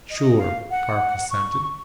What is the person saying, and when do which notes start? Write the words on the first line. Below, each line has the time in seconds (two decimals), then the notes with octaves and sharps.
"Sure," Park assented.
0.10 D#5
0.38 F5
0.70 F#5
1.30 C#6